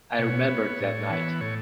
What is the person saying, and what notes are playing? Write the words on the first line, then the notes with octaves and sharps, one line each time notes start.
I remember that night.
B2 C#5
B3
A2
E3 B3
A2 C#5